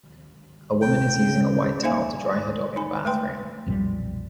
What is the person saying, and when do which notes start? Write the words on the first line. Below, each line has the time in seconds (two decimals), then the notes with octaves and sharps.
A woman is using a white towel to dry her dog in a bathroom.
0.82 G5
1.16 C#3
1.83 A#3 D#4 C5 E5 F5 G#5
2.76 D#4 G#5 B5
3.05 G#3 A3 B4 G5 C6
3.66 B1 F2 A#2 G3